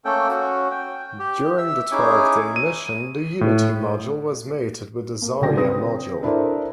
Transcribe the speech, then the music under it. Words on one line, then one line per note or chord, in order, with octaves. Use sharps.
During the twelve-day mission the Unity Module was mated with the Zarya Module.
A3 A#3 C#4 A4 G5
C#4 F#4
G5
G4
E5 E6
C#4 D#4 E4 G#4 G#5 D6
D#7
A2
A#3
C#2 D3 F#3 G5 A#6
C4 B4 D#6 A#6
D4 E4 A4 A#4 C5 D5